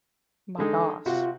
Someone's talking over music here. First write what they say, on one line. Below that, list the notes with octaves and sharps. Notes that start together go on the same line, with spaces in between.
my gosh,
D3 G#3 D#4 A4
C3 F4 F#4